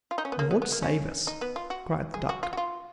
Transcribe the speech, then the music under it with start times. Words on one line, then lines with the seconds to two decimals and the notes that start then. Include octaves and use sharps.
"Lord save us!" cried the duck.
0.11 F4
0.18 D#4
0.25 C#4
0.32 B3
0.39 A#3
0.51 B3
0.62 B3
0.72 A#3
0.83 C#4
1.27 D#4
1.41 B3
1.56 F4
1.70 F#4
2.14 G#4
2.29 F#4
2.43 F4
2.53 F#4
2.57 F4